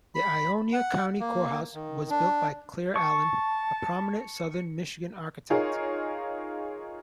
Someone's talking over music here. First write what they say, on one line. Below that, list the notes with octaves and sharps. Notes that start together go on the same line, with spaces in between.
The Ionia County Courthouse was built by Claire Allen, a prominent southern Michigan architect.
B5
F#5
A#3
D#3
D4
A5 C#6
D#4 F4 G#4 A#4 C#5 F5